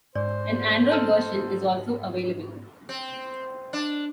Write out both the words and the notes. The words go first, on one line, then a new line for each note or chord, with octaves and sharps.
An Android version is also available.
G#2 C5 D5
A4 D#5 A5 F6
C4
D4